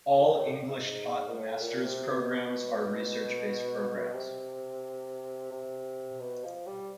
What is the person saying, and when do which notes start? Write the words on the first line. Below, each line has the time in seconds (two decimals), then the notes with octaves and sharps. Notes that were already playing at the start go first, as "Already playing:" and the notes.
All English-taught Master's programmes are research-based programmes.
0.17 A#2
0.27 G#2
0.34 A2
0.69 G#2
1.28 A#2
1.37 A2
1.61 A#2
1.84 C3
2.07 B2
4.14 C3
5.52 C3
6.20 B2
6.44 F3
6.66 G3